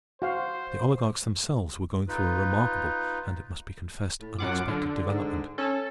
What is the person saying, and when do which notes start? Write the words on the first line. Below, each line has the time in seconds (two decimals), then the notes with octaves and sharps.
The oligarchs themselves were going through a remarkable and, it must be confessed, unexpected development.
0.22 F#4 C5 F5
2.08 D#4 F4 B4
4.21 A2
4.38 F#2 F4 F#5 D6
4.68 D3
5.08 G#2
5.58 C#4 A4